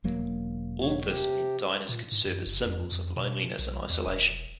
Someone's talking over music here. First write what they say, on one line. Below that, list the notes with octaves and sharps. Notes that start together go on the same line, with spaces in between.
All this meant diners could serve as symbols of loneliness and isolation.
E1 F#3 A#3
C#5
C3 G4
A#2
G#2
F#2
F#1
F2
F2
B2
B1
E2
E1